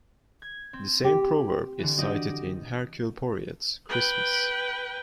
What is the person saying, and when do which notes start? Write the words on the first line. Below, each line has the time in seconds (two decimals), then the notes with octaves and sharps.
The same proverb is cited in "Hercule Poirot's Christmas".
0.42 G#6
0.73 C4
1.04 G4
1.79 D3 E3
1.98 F#4 G4 D5 D#5
3.89 B4 G5